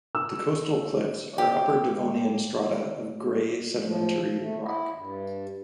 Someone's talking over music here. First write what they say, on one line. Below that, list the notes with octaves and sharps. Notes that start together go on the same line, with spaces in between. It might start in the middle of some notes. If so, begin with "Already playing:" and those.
The coastal cliffs are Upper Devonian strata of grey sedimentary rock.
E6
G4 F5 G5
F3
A3
E4
G2